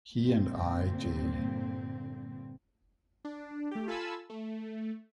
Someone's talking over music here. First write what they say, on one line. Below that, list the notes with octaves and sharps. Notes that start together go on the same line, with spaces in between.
He and I. J.
G2 A#2 D3 C4
D4
A3 G4
F4 A4 G#5 A5 B5 E6
A3